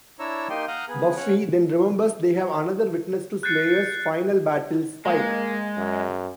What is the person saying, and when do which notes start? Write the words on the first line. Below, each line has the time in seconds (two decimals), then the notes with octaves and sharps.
Buffy then remembers they have another witness to Slayers' final battles: Spike.
0.19 D4 E4 C#5 A#5 E6
0.50 A#3 D#4 G4 D#5 G5 C6
0.68 F5 F#5 A#5 D#6 F6 G6
0.88 B3 G#4
1.16 C#4 C#5 F#5
3.43 F#6 G6 A6 C7 C#7
5.05 G#3 A#3
5.77 F#2